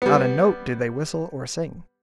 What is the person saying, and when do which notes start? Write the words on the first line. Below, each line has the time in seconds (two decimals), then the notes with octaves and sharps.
Not a note did they whistle or sing.
0.02 G3 B3